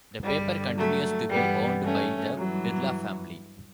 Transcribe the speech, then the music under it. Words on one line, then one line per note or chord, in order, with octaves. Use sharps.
The paper continues to be owned by the Birla family.
G2 D3 G3
F#3 A3
G2 E3 G3 B3
A3 C#4
G2 E3 F#3